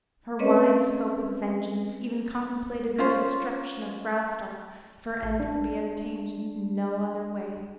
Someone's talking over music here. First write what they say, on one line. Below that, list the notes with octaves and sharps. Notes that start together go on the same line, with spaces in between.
Her wide scope of vengeance even contemplated the destruction of Graustark if her end could be obtained in no other way.
C4 C#4 B4 C#5 D#5
C#4 F4 C5
A1
D4